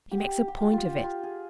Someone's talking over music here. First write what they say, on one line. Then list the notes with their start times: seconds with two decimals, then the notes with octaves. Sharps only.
He makes a point of it.
0.11 G4
0.48 G4
0.60 F4
0.73 F4
0.86 G4
1.04 F4
1.23 G#4